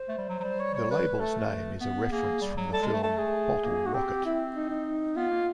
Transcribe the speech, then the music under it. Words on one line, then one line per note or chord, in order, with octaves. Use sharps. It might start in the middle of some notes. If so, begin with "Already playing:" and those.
The label's name is a reference from the film "Bottle Rocket".
Already playing: C5
A3
G3
F#3
F#3
G3
C#5
C#5
B4
A3 A4
B3
A#3 G#4
G3
F#3
G3 A4
G#3
A4
A3
A3 A4
G#4
A#3
F#4
C4 G4
E4
D#4
D#4
B3 F4
A#3